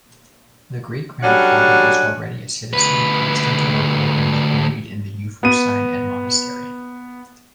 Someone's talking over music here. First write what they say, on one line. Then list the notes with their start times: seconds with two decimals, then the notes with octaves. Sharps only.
The great grandfather was already a citizen of Constantinople and was buried in the Euphrosyne monastery.
1.23 F#3 G3 C#4 D4 A4 F#5
2.73 D2 B4
5.43 B3 D#7